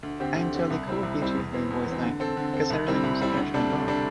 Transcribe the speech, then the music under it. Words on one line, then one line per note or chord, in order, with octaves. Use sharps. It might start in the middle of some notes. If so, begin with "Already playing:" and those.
I am totally cool with you two having a boys' night because I really need to finish my book.
D2
D3 C4 G4
D2
D3 C4 G4
C2
C3 G3 C4 E4
C2
C3 G3 C4 E4
E2
E3 C4
E2
E3 C4
D3
C4 A4
D3
C4 A4
C2
C3 G3 C4 E4
C2
C3 G3 C4 E4
D2
C3 G3 D4 A4
D2
C3 G3 D4 A4